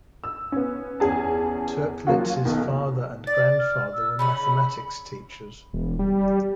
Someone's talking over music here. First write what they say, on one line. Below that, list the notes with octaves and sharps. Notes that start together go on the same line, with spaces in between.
Toeplitz's father and grandfather were mathematics teachers.
E6
B3 C#4
E2 C#4 G#4 A5
F3 F#3 A#3 C#4 F4 F#4
B1 B2 D#3
D5 A6
F6
E6
C#3 C#4 D#4 B5
E1
G3